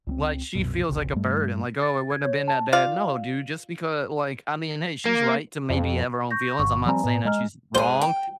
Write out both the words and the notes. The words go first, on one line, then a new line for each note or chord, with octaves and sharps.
Like, she feels like a burden, like, "Oh, it wouldn't have been that bad." No, dude, just because like I mean hey, she's right to maybe have her own feelings, I'm not saying that she's wrong
C#2 G3 C4
C2 F#2 B2
F1 B1 C#3
G2 G3 A3
A6
G#6
C#5
A5
F4 D5 F5
A#3
F2
C#6 G6 A#6
G1 C#6
F3 G3 C4 D5 G#5 A#5
A2 B3
G#3 D#5 A#5 F6
G#2 G#4 C5
G5